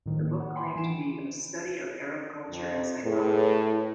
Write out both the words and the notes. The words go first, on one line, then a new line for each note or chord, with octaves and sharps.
The book claimed to be a "study of Arab culture and psychology".
A2 D#3 F3
D#3 A#3
F#5
G5 G#5 B5 C6 D6
E3 E4 G#5 C7 D7 E7
F2
A2 G#4 B4